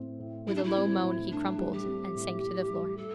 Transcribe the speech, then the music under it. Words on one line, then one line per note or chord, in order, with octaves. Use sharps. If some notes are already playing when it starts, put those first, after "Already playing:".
With a low moan he crumpled and sank to the floor.
Already playing: A2 C4
A2
G3 E4
D4
E4
C4
A2
A2 D4
G3
G4
C4
A2
A2
G3
A3 A4